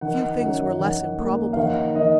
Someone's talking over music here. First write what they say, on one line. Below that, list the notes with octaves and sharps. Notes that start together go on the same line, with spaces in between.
Few things were less improbable.
D#3 F#5
F#2 F#5
D#3 F#5
A#3
F5
D#3 F#5
D#3 D#5